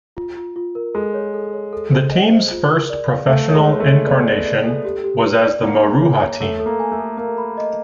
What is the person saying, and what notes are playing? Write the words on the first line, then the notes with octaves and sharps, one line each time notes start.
The team's first professional incarnation was as the Maruha Team.
F4
F4
F4
A#4
G#3 A4
C#5
A4
C#5
A4
C5
D#5
C5
F4
A#4
D5
F5
A3 F5
C#5
G#3
C#5
A3
C#5
B3 D5
D5
D5
A4
G4
G4
B4
D5
A#3 D#4
G#4
C#5
C#5
A3 A4
A4
A#3
G#5
A3
A4
A#3 A#4
B5
D#5